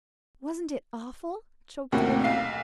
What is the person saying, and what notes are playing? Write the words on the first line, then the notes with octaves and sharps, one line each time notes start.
"Wasn't it awful!" choked Billy.
D#2 A2 C3 A#3 C#4 F#4
B1 F5 C7